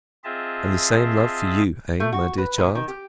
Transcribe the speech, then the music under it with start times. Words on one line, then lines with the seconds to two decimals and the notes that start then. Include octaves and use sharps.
"And the same love for you--eh, my dear child?"
0.24 C4 F4 G#4 D#5 E5 A5
2.00 A3
2.12 F#4
2.38 B4
2.58 A#2
2.75 D#3
2.88 G4